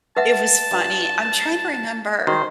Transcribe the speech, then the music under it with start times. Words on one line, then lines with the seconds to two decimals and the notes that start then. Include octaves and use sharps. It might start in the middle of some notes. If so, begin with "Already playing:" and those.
It was funny. I'm trying to remember
0.17 B4 E5 F#5 A5
0.71 G2
2.27 D#3 F#4 C5